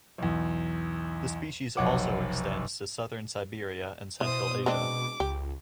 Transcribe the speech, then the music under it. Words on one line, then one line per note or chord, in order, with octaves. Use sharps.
The species also extends to southern Siberia and Central Asia.
B1 E2
F1 B1 C#5 F#5 D6
B2 E3 C5 D#6
G#3 C4 D4 D6
C#2 G4